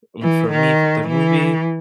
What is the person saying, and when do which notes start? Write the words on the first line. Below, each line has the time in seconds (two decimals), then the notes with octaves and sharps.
m for me f the movie,
0.22 E3
0.51 D#3
1.08 E3